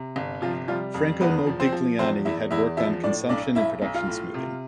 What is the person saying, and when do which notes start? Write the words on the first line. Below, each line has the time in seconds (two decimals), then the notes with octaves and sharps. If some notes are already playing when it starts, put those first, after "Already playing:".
Franco Modigliani had worked on consumption and production smoothing.
Already playing: C3
0.16 G1
0.42 C3 F3 F4
0.68 F3 G3 F4
0.94 F2
1.20 E2 B3 B4
1.47 F3
1.60 C4 C5
1.72 F3
1.99 E2 C4 C5
2.25 E2 E4 E5
2.51 E2 E4 E5
2.77 F3 E4 E5
3.03 A2 D4 D5
3.29 B1 D4 D5
3.55 B1 E4 E5
3.82 B1
3.94 F4 F5
4.07 A2
4.34 C3